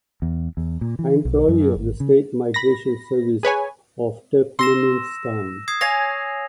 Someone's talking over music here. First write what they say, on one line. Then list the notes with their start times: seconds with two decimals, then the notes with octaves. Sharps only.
Employee of the State Migration Service of Turkmenistan.
0.22 E2
0.57 E2
0.81 A#2
0.99 E3
1.25 B1
1.48 F#2
1.76 G#1
2.00 C#3
2.54 B5 A#6
3.43 G#4 B4 C#5 G#5
4.59 C6 E6 A#6 E7
5.68 D#6 G#6 C7
5.81 C#5 F5 G#5 A#6 F7